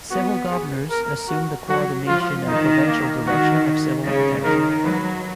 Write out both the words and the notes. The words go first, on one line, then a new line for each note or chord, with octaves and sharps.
Civil governors assumed the coordination and provincial direction of civil protection.
B3 F#4
G#4
A#4
F#4
F#3 F#4
F3 F4
D#3 D#4
A#3
D#3 F#4
C#3
D#3 A#4
F#3 B4